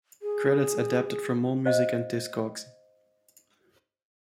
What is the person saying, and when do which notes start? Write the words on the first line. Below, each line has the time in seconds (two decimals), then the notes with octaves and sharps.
Credits adapted from AllMusic and Discogs.
0.22 G#4
1.66 C5 D#5 F5